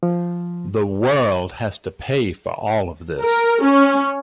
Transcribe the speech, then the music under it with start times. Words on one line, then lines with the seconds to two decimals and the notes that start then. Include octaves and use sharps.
The world has to pay for all of this.
0.03 F3
3.22 A#4
3.63 C#4